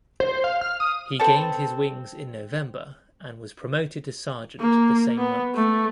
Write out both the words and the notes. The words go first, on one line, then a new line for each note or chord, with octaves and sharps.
He gained his wings in November and was promoted to sergeant the same month.
C5
F5
F6
D#6
C4 A4 B4 A5
A#3
B3
A3